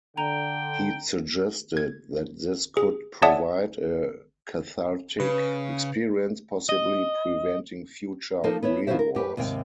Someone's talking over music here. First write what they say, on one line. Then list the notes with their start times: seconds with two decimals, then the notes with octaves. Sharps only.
He suggested that this could provide a cathartic experience, possibly preventing future real wars.
0.17 D3 G5 A#5 F7
1.77 G#6
2.77 G#4
3.22 C#5 D5 E5 F#5 A5 D#6
5.20 C#3 B4
6.69 D#5
8.44 F3 A#3 D#4 F4 A4
8.63 B3 E4 C#5 E5
8.87 D#3 F3 E4 F#4 C5 E5
8.99 A#4
9.15 F#2 G4 B4
9.37 D#2 G#2 C3 G5